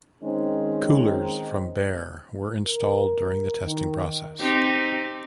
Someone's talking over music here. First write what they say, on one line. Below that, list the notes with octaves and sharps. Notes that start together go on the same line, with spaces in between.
Coolers from Behr were installed during the testing process.
D#3 G#3 C4 C#4 D#4
A#4
D#3
C4 D#4 G4